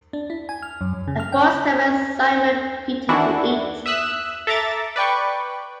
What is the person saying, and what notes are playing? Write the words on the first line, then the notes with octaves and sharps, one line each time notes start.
A voice commands Simon Peter to eat.
D4
E4
G#5
F6
F#2
F#2
C#3
F6
G5
B5
D#3 E3 D4 E4 F#4
E5 D#6 E6 F#6
A4 E5 A#5 D6 A6
B4 D5 G5 C#6